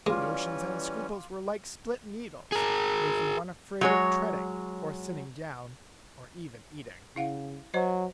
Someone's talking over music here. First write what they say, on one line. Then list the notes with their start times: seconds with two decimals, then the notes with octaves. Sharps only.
Notions and scruples were like spilt needles, making one afraid of treading, or sitting down, or even eating.
0.07 E3 G3 G#3 C#4 F4 D5
2.52 G#4 A#4
3.81 F#3 G#3 C#5
7.16 C#3 E4 F5 F#5
7.74 F#3 C5 D#5